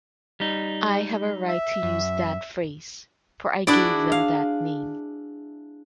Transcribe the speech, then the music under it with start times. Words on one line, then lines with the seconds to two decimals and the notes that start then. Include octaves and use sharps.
I have a right to use that phrase, for I gave them that name.
0.40 G3 D#4
1.49 E5
1.83 F#2
3.67 D4 E4 F#4 G#4 D5
4.12 F5